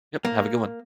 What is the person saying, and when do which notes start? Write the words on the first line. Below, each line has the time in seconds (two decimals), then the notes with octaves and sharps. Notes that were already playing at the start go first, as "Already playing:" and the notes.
Yep, have a good one.
0.25 A#3